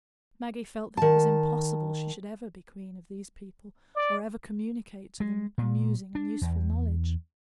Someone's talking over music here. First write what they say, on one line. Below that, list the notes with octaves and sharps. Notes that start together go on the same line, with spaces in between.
Maggie felt that it was impossible she should ever be queen of these people, or ever communicate to them amusing and useful knowledge.
D#3 A5
D5
G#3
A#2
D4
E2